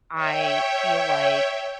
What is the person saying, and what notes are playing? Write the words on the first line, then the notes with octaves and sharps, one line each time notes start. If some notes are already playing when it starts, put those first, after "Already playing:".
"I feel like
C#5 E5 G5